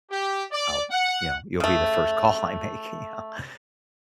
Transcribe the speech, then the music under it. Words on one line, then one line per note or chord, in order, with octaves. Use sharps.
I'll" you know, "you'll be the first call I make," you know?
G4
D5
F#5
C#3 A3